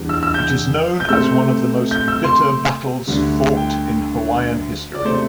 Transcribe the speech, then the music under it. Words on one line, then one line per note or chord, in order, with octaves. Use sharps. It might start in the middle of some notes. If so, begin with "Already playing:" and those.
It is known as one of the most bitter battles fought in Hawaiian history.
Already playing: E2 E3 G3 D4
E6
E6
G6
G6
C3 A3 C4 E6
G6
E6
C6
D2 D3 G3
G5
D5
C3 A3 C5